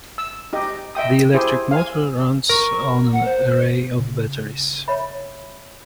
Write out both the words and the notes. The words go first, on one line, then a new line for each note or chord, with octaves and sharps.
The electric motor runs on an array of batteries.
E6
D#4 G4 D#5
D#5 E5 G5 D#6
E4 G4 G#4 C5
F5 G#5
A#4 C#6
F#5
C5
C#3
C#5 E5 B5